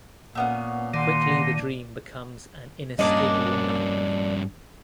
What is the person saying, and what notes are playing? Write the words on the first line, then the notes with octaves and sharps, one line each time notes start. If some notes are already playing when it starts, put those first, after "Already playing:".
Quickly the dream becomes an inescapable nightmare.
A#2 A3 B3 C#4
D#3 D4 F#5 C6
G2 A#3 C#4 D4 D#5